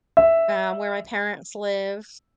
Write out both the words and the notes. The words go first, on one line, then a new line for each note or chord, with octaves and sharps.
um, where my parents live,
E5